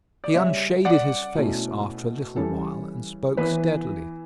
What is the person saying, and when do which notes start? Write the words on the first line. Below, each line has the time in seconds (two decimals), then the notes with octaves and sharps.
He unshaded his face after a little while, and spoke steadily.
0.24 D5
0.34 C#3 G3 C#4 C#5 E5
0.85 D5 F#5
1.35 B2 A3 C#4 E4
2.36 C#3 E3 G3 C#4 E4 A4
3.37 E3 B3 E4 B4